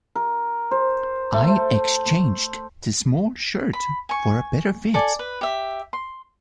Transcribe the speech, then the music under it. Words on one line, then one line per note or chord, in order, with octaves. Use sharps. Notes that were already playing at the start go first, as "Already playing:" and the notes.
I exchanged the small shirt for a better fit.
A#4
C5
A3
C5
B5
G#5 C#6
A4 D5 G#5
B4
G4 E5
C6